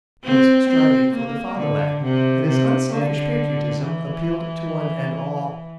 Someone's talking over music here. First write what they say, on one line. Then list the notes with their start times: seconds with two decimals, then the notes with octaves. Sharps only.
He was striving for the Fatherland, and his unselfish patriotism appealed to one and all.
0.24 C4
0.69 C4
1.13 A#3
1.58 D3
2.03 C3
2.47 C3
2.92 D3
3.82 E3